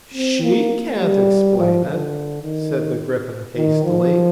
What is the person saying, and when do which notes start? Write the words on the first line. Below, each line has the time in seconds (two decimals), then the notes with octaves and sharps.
'She can't explain it,' said the Gryphon hastily.
0.14 C4
0.43 A#3
0.99 G3
1.57 F3
1.85 D3
2.42 D#3
3.56 D#3
3.84 F3